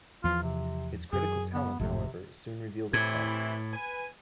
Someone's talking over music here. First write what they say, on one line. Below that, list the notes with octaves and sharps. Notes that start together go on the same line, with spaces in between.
His critical talent, however, soon revealed itself.
E2 F3 F4
C3
F#2 G#4
B3
G#1 F2 A2 C3
A2 C3 E3 E4 G#6
B4 G#5